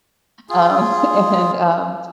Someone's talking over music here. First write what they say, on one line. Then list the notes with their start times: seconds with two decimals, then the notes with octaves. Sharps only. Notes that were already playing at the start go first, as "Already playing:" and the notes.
um, and, um,
0.50 F4 G#4